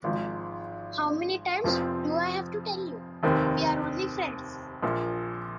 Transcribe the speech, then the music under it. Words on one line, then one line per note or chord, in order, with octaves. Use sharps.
How many times do I have to tell you? We’re only friends.
G#1 G#2 F3
F1 F2 F3 C4
F1 D#2 D#3 C4
A#1 A#2 F3